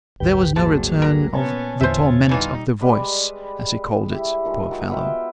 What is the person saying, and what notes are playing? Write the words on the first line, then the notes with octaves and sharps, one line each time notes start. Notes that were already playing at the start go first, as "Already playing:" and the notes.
There was no return of "the torment of the voice"--as he called it, poor fellow.
G1 D2 A2 G4 B4 G5
G2 C3 F#3 A#3 F#4 G#4 A5
A#4 A#5
A#2 B3 C#4 C#5 G#5 A5
E2 A#2 D3 B3 F4 C5 E5
B2 E3 G3 D#4 F4
G3 G#3 B4 D5
E4 G4
D#3 F3 G#3
F#3
B3 F4 E5 G5